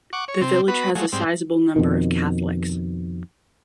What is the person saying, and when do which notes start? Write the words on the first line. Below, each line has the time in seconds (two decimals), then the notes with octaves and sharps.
The village has a sizeable number of Catholics.
0.13 F#5 C#6 D6
0.28 C#5
0.41 C3 C4
0.68 B3 F#4 B4
0.95 F3 F#3 G#3 A3
1.13 G#2 G3 C4
1.76 F2 B2 D#3